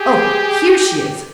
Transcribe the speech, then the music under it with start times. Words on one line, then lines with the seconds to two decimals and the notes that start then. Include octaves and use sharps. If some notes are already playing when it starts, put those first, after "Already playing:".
Oh! here she is!
Already playing: G4 G#4